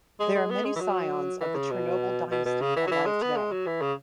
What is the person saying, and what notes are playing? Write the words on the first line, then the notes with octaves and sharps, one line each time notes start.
There are many scions of the Chernobyl dynasty alive today.
G#3
G#3
B3
G#3
E3
F#3
E3
C#3
B2
B2
B2
C#3
E3
F#3
E3
G#3
B3
G#3
F#3
E3
C#3